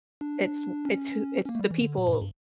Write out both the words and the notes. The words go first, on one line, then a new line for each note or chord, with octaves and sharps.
it's w it's who it's the people
D4
C#4
C#4
A#3
A3
G3
E3
D3
A#2
G2
A2
G2